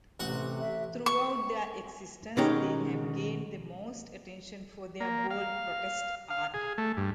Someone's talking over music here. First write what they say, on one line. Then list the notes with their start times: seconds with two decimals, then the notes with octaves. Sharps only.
Throughout their existence, they have gained the most attention for their bold protest art.
0.20 A1 C3 F#4 F#5
0.58 E5
1.06 C#6
2.37 B2 D#3 G#3 C#4 D#4 G4
5.00 A#3
5.31 F5
6.30 F5
6.54 G#4
6.78 A3
6.97 G2